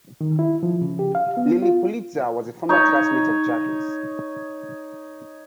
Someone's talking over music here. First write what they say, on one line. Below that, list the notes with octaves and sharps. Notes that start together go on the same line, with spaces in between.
Lilly Pulitzer was a former classmate of Jackie's.
D#3
E4
F3
C#3
G4
F5
B3
F4
D#4 C#5